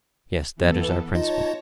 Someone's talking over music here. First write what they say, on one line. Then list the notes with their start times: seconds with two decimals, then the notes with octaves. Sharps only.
Yes; that is our principle.
0.56 E3 B3 A4
1.15 D#4 F4 C#5 D#5 A5 A#6